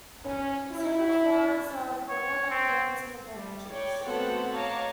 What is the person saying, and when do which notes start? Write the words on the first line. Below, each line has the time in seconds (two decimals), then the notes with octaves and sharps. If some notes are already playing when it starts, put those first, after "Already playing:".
Single flowers are borne at the ends of the branches.
0.24 C#4
0.71 E4
2.09 C#5
2.50 C4
3.33 G3
3.69 C#5 D5 G5
4.04 A3 B3 C4 F#4 A4 F#5
4.53 C#5 D#5 F5 A5 A#5 D6